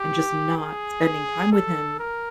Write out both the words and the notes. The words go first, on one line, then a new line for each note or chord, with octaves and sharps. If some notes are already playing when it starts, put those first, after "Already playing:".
and just not spending time with him,
Already playing: G4
G#4
A4
A#4